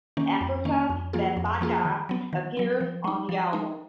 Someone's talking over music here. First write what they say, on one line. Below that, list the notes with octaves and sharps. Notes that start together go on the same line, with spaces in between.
Afrika Bambaataa appears on the album.
D#3 A#3 C#4
F2
D#3 A#3 C#4
F2
F3 A#3 F4 G#4
F2
F3 A#3 F4 G#4
D#3
F#3 B3
D#3
F#3 B3
F3
G#3 D#4
F3
G#3 D#4